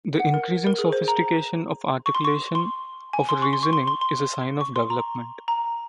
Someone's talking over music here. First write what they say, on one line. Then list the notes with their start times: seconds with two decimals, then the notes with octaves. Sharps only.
The increasing sophistication of articulation of reasoning is a sign of development.
0.20 F#5
0.34 A#4
0.67 A#4
0.78 G#4
0.92 C5
1.08 A#5
2.06 C#6
2.15 C6
2.25 C#6
2.55 C6
3.13 G#5
3.29 C6
3.42 C#6
3.53 C6
3.63 C#6
3.73 C6
3.88 C6
4.01 C6
4.61 C#6
4.76 C6
4.90 A#5
5.48 A#5